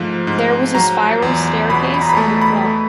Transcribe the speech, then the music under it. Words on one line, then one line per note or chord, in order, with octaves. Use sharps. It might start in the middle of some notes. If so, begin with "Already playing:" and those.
There was a spiral staircase in the club.
Already playing: G#2 F3 A3
G#2
F#3 A#5
E2
B2 B5
B5
A#5
B5
A3 A5
B5
A3